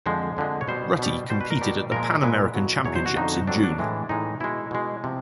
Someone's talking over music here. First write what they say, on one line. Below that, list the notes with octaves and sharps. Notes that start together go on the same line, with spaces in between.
Rutty competed at the Pan American Championships in June.
F2 D3 F3 G#3 C5
F2 D3 F3 G#3
C#5
B2 G3 C5
B2 G3
B2 G3 C5
B4
A#4
B2 G3
A#2 F3 G#3 A#4
A#2 F3 G#3 B4
E2 B2 F#3
E2 B2 F#3 C#5
C5
F#4
F2 D3 F#3 D#4
F2 D3 F#3 D4
D4
A2 E3 G#3
A2 E3 G#3 D#4
B2 G#3 E4
B2 G#3
C3 F3